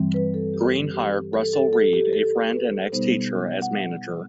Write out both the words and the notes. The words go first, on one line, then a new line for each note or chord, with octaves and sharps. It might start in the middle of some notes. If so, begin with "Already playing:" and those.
Green hired Russel Reade, a friend and ex-teacher, as manager.
Already playing: G2 E3 G3 C4
B4
A4
G4
G4
A4
A4
A4
G4
A4
B4
B2 G3 B3 D#4 C5
F#5